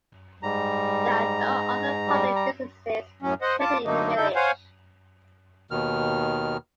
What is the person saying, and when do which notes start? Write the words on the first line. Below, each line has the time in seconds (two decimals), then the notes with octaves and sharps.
There are no other public businesses trading in the village.
0.43 G#2 G3 A#5
2.08 G3
2.36 A#5
3.22 F#2 A2 F#3 C#4
3.42 C5 D#5 F#5
3.60 F4 A5 D6
3.85 D3 F#3 A3 A#3 D#4
4.16 D3 D#4 E4 A4 G6
4.35 C5 C#5 F5 F#5 G#5
5.71 D#2 B2 D#3 F6